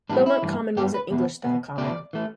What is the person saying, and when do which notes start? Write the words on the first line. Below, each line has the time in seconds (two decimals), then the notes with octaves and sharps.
Beaumont Common was an English style Common.
0.09 A2 E3 G3 B3 D4
0.26 E4
0.43 G2 E3 A3
0.77 G2 G3 B3 G4
0.94 B4
1.11 E2 B2 B3
1.44 B2 B3
1.78 B2 A3 D5
2.13 E3 A3